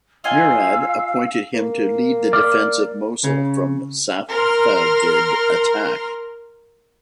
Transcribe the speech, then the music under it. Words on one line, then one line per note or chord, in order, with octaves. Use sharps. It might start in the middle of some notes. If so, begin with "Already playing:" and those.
Murad appointed him to lead the defense of Mosul from Safavid attack.
F4 D#5 F5 G#5 E6
A#3
D5 D6 F6
C#3
A#4 C6 F6